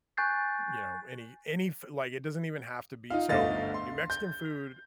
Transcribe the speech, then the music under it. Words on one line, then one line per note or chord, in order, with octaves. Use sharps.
you know, any any f like, it doesn't even have to be so, New Mexican food
G#5 C#6 F#6 G6 A6 C7
D#4 F4 F5
G1 D2 A3 D#5 F5 A6
C6
G6